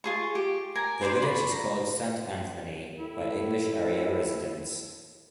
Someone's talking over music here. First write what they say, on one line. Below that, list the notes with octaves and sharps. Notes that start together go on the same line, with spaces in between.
The village is called Saint Anthony by English area residents.
F4 G#4 C#6
G4
A#4 G#5 A#5
B4 C5 D5 C6
F4 B5 C#6
A#5
A2 E4